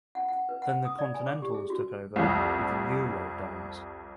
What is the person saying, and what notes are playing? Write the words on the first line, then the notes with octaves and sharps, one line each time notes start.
Then the continentals took over with "Euro Dance".
F#5
F#5
B4
F#5
D#6
D5
G#5
D6
G4
G#4
F#4
C2 F2